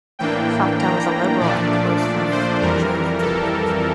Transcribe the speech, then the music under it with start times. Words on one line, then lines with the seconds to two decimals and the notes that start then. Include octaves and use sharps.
Facta was a Liberal and close friend of Giolitti.
0.19 A2 E3 A#3 D4 G5
0.79 A#5
1.40 A#2 F3 A3 D4 D5
2.01 D5
2.31 C5
2.61 F2 E3 G3 A#4
3.22 A4